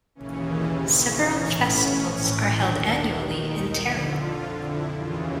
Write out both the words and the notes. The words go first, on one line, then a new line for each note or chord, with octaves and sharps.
Several festivals are held annually in Terry.
D#2 C#3 E3 C#4
C#4
C4
C#4
A2 E3
C#4
D#2 D#3 D4
D#4
D#4
F2 D3 E4
F4
E4
D#2 C#3 E3 F4